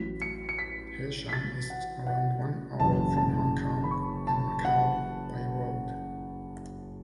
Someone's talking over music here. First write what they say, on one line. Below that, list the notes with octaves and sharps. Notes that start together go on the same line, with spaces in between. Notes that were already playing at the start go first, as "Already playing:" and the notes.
Heshan is around one hour from Hong Kong and Macau by road.
Already playing: A1 A2 F#3 B6
C#7
C#7
B6
B6
A6
F#5
F#5
F#1 F#2 E3 A5
A5
B5
C#6
A5
F#5